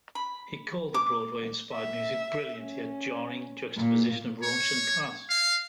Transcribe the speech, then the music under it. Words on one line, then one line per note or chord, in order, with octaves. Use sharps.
He called the Broadway-inspired music "brilliant yet jarring juxtaposition of raunch and class".
B5
D6
E5
C#4
A#2
C#5
F5